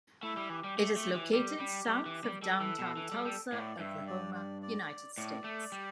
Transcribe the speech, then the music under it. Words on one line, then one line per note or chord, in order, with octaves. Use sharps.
It is located south of downtown Tulsa, Oklahoma, United States.
A3 E4
G3
E3 G4
G3
A3
A3
E3
G3 G4
G3
G3
E3
G3
G3 A4
E3
B2
E3
G3
G3
A2 D5
G2 E5
D5
D5
D5
A2 D5
A3
G3